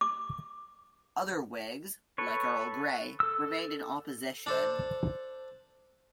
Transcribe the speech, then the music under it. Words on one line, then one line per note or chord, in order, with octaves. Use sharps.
Other Whigs, like Earl Grey, remained in opposition.
D6
A4 B4 C#5
A4 E6
D4 A4 C5